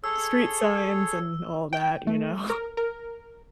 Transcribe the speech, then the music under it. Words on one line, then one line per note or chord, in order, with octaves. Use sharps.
street signs and all that, you know.
G#4 A4 C#5 E6
G5
A3
A#4
A#4